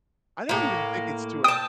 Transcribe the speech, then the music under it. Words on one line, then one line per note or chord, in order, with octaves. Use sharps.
I don't even think it's to us
A2 A#3
G5 A5 D#6